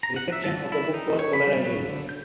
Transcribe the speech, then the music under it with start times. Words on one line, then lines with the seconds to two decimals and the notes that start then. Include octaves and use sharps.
Reception of the book was "polarizing".
0.03 A#5
0.16 F#5
0.32 E5
0.44 A5
0.72 E4
0.94 D#4
1.19 C#5
1.33 B5
1.47 G3
1.64 F#3
1.79 D3
2.09 G6